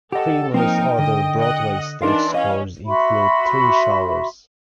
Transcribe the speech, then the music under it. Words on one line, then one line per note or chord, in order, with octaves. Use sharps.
Creamer's other Broadway stage scores include "Three Showers".
G4 A4 D#5 F#5
F3 A#3 C4 D#4 A#4 G5
D3 D#5
D#5 F#5
E3 D4 D#4 A#4 F5 C6
C#4 D#5 F5
F#4 E5 B5 C6